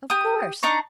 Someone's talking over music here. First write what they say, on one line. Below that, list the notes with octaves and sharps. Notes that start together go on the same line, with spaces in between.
'Of course.
G4 D#6
D4 D#4 A#5 C#6